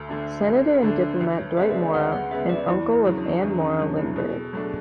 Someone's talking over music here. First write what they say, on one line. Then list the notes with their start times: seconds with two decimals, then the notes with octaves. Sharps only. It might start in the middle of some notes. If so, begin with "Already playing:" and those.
Senator and Diplomat Dwight Morrow and uncle of Anne Morrow Lindbergh.
Already playing: D2 A4
0.09 D3 A3 D4
0.46 D2
0.83 D3 A3 D4
1.20 D2 B4
1.39 C#5
1.57 C#3 G#3 B3 E5
1.70 D5
1.75 E5
1.94 D2 F#5
2.13 F#5
2.31 C#3 G#3 B3 E5
2.49 D5
2.68 E2 E4
2.93 E4
3.05 C#3 F#3
3.18 D4
3.42 E2 D4
3.61 C#4
3.79 C#3 F#3 D4
3.98 E4
4.16 B2 G#4
4.34 A4
4.53 F#3 A3 D4
4.64 G#4